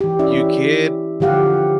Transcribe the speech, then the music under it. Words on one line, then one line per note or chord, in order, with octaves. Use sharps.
you could
E3 G4
C#4 E4 D5 E5
D3 F3 G4 F5 F#5